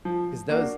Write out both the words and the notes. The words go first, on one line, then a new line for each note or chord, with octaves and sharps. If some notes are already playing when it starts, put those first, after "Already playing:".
'Cause those
F3
A#3 D4 F#4